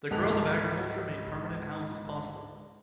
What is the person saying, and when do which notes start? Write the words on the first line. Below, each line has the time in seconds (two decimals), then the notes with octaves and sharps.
The growth of agriculture made permanent houses possible.
0.11 C#2 G#2 A4 A#4 F#6 F7